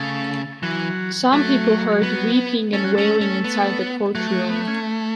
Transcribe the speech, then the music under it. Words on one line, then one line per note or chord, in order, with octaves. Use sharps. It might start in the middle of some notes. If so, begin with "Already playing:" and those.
Some people heard weeping and wailing inside the court room.
Already playing: C#3 A3
E3 F#3
F#3 A3
B3
A3 C#4
F#3
A3 C#4
C#4
B3
F#3 A3
F#3
B3
C#4